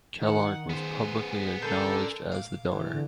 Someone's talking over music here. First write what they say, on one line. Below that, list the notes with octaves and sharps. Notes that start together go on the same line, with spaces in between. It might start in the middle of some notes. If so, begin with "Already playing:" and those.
Kellogg was publicly acknowledged as the donor.
D#3 D#4 F#5
B3 G#4 C5
D3 C#4 A4 A#4 G6
F5 D6
E2
D3